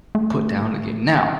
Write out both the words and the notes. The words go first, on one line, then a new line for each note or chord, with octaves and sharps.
put down a game. Now,
A3